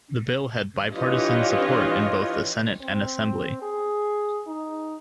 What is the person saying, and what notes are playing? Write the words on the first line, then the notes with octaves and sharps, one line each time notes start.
The bill had bipartisan support in both the Senate and Assembly.
E3 D4 F4 G4 C#5 D#5
C4
G#4
D#4